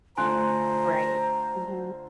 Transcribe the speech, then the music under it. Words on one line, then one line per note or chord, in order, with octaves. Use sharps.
Right. Mhm.
D3 A3 F4 C5 G#5 A#5 C6 F#6